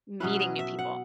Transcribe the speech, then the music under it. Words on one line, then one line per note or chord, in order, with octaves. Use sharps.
meeting new people?
B2 F#3 C#4 E4 B4
D#5
E5
F#5